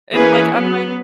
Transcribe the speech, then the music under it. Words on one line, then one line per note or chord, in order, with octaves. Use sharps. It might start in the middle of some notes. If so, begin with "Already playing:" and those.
and, like, on my
E3 A#3 C#4 G#4 B4
F#3 B3